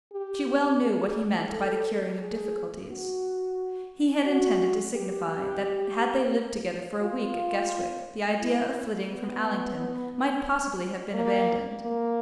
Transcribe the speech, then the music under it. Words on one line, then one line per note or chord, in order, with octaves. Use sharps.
She well knew what he meant by the curing of difficulties. He had intended to signify that had they lived together for a week at Guestwick the idea of flitting from Allington might possibly have been abandoned.
G4
G#4
A4
G#4
F#4
F#4
G4
F4
E4
B3
A#3
A#3